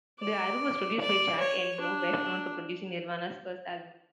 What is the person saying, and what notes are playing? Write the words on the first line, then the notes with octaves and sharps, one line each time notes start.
The album was produced by Jack Endino, best known for producing Nirvana's first album.
D5
D5
C#5
D4